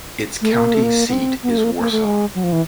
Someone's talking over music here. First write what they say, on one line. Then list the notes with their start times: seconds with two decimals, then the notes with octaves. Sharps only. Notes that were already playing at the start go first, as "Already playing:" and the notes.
Its county seat is Warsaw.
0.41 A3
0.52 A#3
0.74 A3
0.83 A#3
1.08 B3
1.13 C4
1.43 B3
1.50 A#3
1.58 A3
1.64 A#3
1.79 A#3
1.91 A3
2.04 G#3
2.35 F#3
2.43 F3
2.52 E3